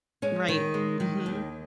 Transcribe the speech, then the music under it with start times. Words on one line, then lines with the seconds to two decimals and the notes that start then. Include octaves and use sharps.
Right, mhm.
0.22 G#3 C#4
0.48 D#3
0.74 G#3
1.00 D#3
1.26 D#2